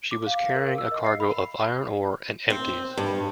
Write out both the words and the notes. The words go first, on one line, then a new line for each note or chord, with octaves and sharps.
She was carrying a cargo of iron ore and empties.
D6
F5
F5
A#4
E6
D#5
C7
B5
C4
G2